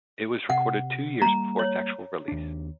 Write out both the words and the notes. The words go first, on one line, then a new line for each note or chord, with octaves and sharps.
It was recorded two years before its actual release.
C3 F#5
G3 A#3 A#5
C#5
D#2 D4